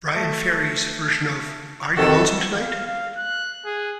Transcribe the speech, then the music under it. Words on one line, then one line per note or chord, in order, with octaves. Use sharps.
Bryan Ferry's version of Are You Lonesome Tonight?
A3
F2 C3 D#3 F#4 A4
F5
F5
F#6
G#4